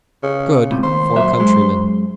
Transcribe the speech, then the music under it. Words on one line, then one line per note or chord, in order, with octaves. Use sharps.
Good for countrymen.
C#3
C#2 A2 C3
D#2 C5
A#2 F#3 E5
F#2 G#3